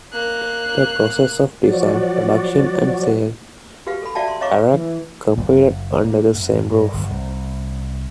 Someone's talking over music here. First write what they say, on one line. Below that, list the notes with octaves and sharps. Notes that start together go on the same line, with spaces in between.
The process of design, production and sale arec completed under the same roof.
A#3 F#6
F3 F#3 F#4 D5
F#4 G4 B4 F5
A4 B5
F#4 D5 E5 F5 G5 A5
C6
C#5 D#5 F5 A#5 C#6 D6
E3
F#1
A#3
F#2
G2
G1
C2